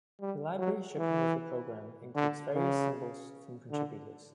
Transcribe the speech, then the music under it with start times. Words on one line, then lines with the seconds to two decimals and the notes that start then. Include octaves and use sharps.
The library shipping with the program includes various symbols from contributors.
0.20 G3
0.59 F#3
0.98 E3
2.15 D3
2.54 C#3
3.70 D3